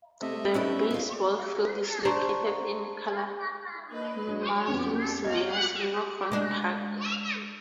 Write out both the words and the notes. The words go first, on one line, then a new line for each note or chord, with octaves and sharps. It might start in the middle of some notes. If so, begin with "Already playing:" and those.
The baseball field is located in Kalamazoo's Mayors Riverfront Park.
C3 A3 D#5 E5
F#1 G3 C#4 D#4 B4 E5
B2
D#4 F4
D4 C5 A#5 C6 C#6
A#3 B4 D#5
F#3 D4
F2 B3 C#4 G4
B3 G4 D#5 F5 G#5 G#6
G#3 D4